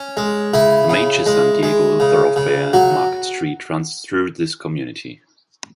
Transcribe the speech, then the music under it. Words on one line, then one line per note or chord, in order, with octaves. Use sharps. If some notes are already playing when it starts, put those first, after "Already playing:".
The major San Diego thoroughfare Market Street runs through this community.
Already playing: C#4
G#3
C#3 E4
C#3
G#3
G#3
C#3
C#3
F#3 F#4